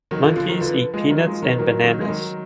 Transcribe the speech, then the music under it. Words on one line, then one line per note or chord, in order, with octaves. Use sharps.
Monkeys eat peanuts and bananas.
D#3 F#3
D3 F3
D3 F3
D#3 F#3
D3 F3 B4
F3 G#3
D#3 F#3
F3 G#3
D#3 F#3
B4
D#3 F#3 A#4
D#3 F#3
G#3
D#3 F#3